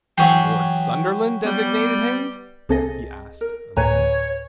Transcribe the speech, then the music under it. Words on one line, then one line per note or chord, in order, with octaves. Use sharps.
"Lord Sunderland designated him?" he asked, amazed.
E3 F#3 G4 G#4 C#5 C6
G3 B3
C2 C4 G#4 A4 D#5 G#5
A#4
D2 A2 B4 C#5 G#5 A#5